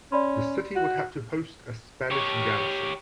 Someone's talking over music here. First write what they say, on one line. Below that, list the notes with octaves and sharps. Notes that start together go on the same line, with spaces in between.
The city would have to host a Spanish garrison.
C#4 D5 B5 C6
F#4
G4 C#5